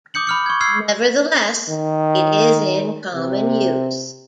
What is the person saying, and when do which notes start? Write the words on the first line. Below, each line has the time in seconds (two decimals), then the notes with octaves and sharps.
Nevertheless, it is in common use.
0.14 D6 D#6 G6 C#7 F#7
0.27 B5 F6 C#7
0.46 C#6 G#6
0.60 E6 F6 G#6 C7
1.69 D#3
3.15 C3